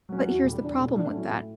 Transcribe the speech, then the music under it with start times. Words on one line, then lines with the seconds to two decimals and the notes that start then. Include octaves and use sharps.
But here's the problem with that.
0.09 F#3 C#4
0.26 E2 F#4
0.44 C#3 G3
0.61 E2 D4
0.78 C#3 G3
0.95 A2 D4
1.13 F#3 C#4 E4
1.29 A2